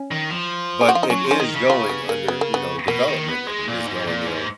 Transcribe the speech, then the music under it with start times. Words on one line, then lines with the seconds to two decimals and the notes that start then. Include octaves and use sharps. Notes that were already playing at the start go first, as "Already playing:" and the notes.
but it is going under, you know, development, and it is going, you know
Already playing: C#4
0.11 D#3
0.30 F3
0.81 G#4
0.88 F#4
0.95 F4
1.03 D#4
1.10 F#3 C#4
1.25 F3
1.31 C#4
1.39 D#3 D#4
1.55 C#3
1.70 F4
1.89 B3
2.09 A#3
2.28 B3
2.41 A#3
2.54 B3
2.88 B2 A#3
3.08 D#3
3.28 B3
3.47 G#3
3.68 A#2
3.86 G#2
4.07 A#2
4.27 G#2